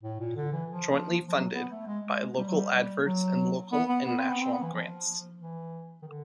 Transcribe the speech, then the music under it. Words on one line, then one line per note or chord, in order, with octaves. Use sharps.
Jointly funded by local adverts and local and national grants.
A2
A#2
D3
E3
F3
F3
F#3
B3
A3
G#3
G#3
G3
F#3
G3
F#3
B3
B3
B3
C4
B3
C4
B3
E3
F3
E3
D#3
D3